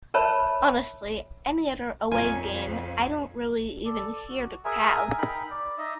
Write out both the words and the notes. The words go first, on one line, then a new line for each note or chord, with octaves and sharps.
Honestly, any other away game I don't really even hear the crowd.
A#4 C5 C#5 E5 A5 B5
F2 F4 A#4 C#5 G#5
A4 D5
F#4
G#4 A#4 E5 G#5
D#4 A#4 G5 B5
D5
D#4 D#5 E5